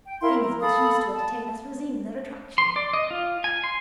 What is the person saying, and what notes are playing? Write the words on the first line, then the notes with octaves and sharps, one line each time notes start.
Things which used to entertain us resume their attraction.
G5
E4 A#4 F5 C6
A#4
A4 F5 B5 D#6
A5
C6
D5
D#5
F4
G#5
C6